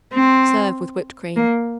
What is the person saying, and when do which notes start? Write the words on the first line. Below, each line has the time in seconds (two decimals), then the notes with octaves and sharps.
Serve with whipped cream.
0.14 C4
1.36 A#3